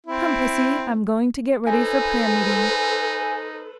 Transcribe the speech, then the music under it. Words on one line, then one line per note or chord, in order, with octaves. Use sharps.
Come, pussy, I'm going to get ready for prayer meeting.
C4 E4
D#4 A4 B4 C5 G#5